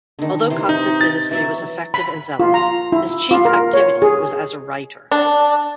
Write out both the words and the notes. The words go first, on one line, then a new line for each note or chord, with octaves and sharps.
Although Cox's ministry was effective and zealous, his chief activity was as a writer.
D3 D#3
C3 E3 C5
D#4
A6
E3 F#3 E5
B5
F4
A#5
E4
F4
A#4
C#5
G#4
D4